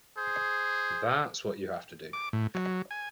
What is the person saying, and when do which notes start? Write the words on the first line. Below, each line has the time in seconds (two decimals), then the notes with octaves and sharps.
That's what you have to do.
0.17 G#4 C5
2.13 D6
2.33 A2
2.55 F#3
2.91 G#5